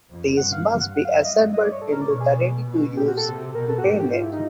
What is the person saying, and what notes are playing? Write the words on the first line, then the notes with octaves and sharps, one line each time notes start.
These must be assembled into the ready-to-use grenade.
F2
G2 F#5
F5
G2
F#5
F#2 F#5
F5
E5
G2 D#5
E5
D#5
D5
C#5
A2 A4
A#4
D5
B2 C#5
G#4
B2
A#2 G4
F#4
A4
C3
B2 A#4
A4
F#4
G#2 G4
G4
F4
E4
D#4